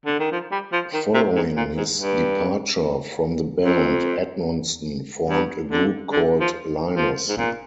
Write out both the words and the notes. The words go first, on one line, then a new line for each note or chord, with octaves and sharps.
Following his departure from the band, Edmonston formed a group called Linus.
D3
D#3
F3
G3
F3
D#3
C3
G#2
A#2
G#2
G2
F2
G2
D3
D3
F3
F3
G#2
A#2